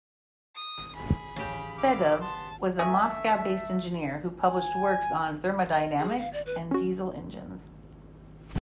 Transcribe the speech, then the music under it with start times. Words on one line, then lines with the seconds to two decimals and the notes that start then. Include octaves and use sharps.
Sedov was a Moscow-based engineer who published works on thermodynamics and diesel engines.
0.55 D#6
0.95 G#4 B5
1.36 A1 C#3 G4
1.78 E4 F5 D6
2.21 B3 A5 C6
2.79 A3 C#4 D#5 E5 G#5
4.40 G#5
5.71 D#5
5.99 G#4
6.18 F5
6.33 D5
6.46 B4
6.71 C#4 F#4